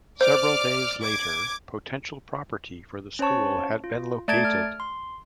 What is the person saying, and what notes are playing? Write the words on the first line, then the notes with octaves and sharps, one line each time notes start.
Several days later, potential property for the school had been located.
C5 D5 D6 F6
D6 G#6
C#4 C5 C#5 A5 C#6
F4
A3 D5 A5 G#6 A6 D7
F6
C6